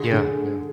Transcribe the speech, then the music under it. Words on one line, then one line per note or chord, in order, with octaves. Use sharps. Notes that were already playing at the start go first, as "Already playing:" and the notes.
Yeah, yeah.
Already playing: D3 G#4
D3